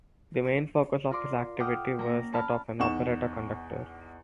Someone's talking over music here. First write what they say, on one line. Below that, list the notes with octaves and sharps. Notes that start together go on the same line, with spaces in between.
The main focus of his activity was that of an operetta conductor.
F4 A#4 D5 C6 D6
A4 F#5 G5 D6 D#6 F6
A#3 C#4 A#5
A5 B5 F6
E2 D#4 F#5 C#6 E7